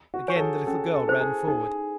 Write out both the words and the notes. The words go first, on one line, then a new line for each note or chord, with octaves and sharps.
Again the little girl ran forward.
F#4
C#5 G#5 C#6
A4
G#4
C#4 A4
A4
E4 A4 C5
G#4
D#4 G#4